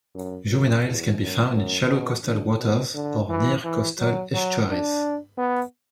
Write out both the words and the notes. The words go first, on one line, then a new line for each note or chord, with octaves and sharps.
Juveniles can be found in shallow coastal waters or near coastal estuaries.
F#2
F#2
E2
F#2
F#2
B2
D3
B2
D3
E3
E3
F#3
F#3
D4
B3